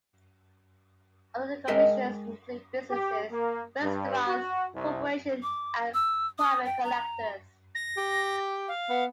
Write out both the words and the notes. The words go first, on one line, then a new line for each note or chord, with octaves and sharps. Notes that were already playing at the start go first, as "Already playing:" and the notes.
Other commissions include businesses, restaurants corporations and private collectors.
G#3 A#4 D#5 E5 G5
G4
A#3
G2
F#4
C2
D6
E6
D#6
G5
A#5
A#6
G4
F5
B3